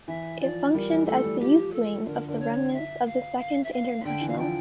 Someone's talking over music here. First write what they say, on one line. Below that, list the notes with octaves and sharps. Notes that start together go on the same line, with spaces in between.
It functioned as the youth wing of the remnants of the Second International.
E3 E5
F3 D5
G3 A#4
E3
A3 A4
G3
F3 G4
A4
D3 A#4
D3 A#4
C#5
E5
F5
F5
E5
F5
D3 G5
E3
F5
F3 G5